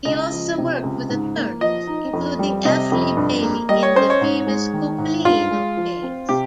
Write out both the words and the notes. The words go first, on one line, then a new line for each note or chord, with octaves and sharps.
He also worked with attorneys, including F. Lee Bailey, in the famous Coppolino case.
C#2 D#5
F3
C3
C#2
G#2
A#3
F3 D#5
D#4
F2
G3
C3 D#5
F2
G2
A#3
G3 D#5
C#5
C#4 C5
C#5
G#2
G#3
D#3
G#2
G2 F4
G#3
F3
C4
C3 G4